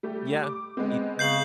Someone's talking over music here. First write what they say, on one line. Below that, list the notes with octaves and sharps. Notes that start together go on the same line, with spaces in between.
Yeah, you
G3 A3 G4
D6
G#3 B3 C4
C#3 G6 C7 F#7